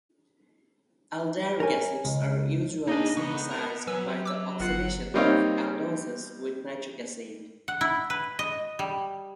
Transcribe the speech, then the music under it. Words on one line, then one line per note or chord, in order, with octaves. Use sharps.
Aldaric acids are usually synthesized by the oxidation of aldoses with nitric acid.
A#4 C#5 G#5
C#2
A#3 D4 D#4 D#5 G#5
C#2 B3 D#4 C#6
A#4
F#3 B4 G#5 E6
D6 E6
G1 F4 F#5 C7
G3 A#3 C4 D#4 C#5 F5
F#5
E4
B4
D#5
G3